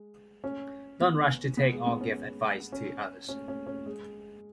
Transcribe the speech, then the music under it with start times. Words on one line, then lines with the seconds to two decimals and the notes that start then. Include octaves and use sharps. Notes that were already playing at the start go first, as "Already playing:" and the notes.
Don’t rush to take or give advice to others.
Already playing: G#3
0.44 C#4
1.01 B3
1.57 B3
1.72 G#3
1.87 B3
2.01 C#4
2.72 C#4
3.29 C#4
3.48 C#4
3.67 C#4
3.86 G#3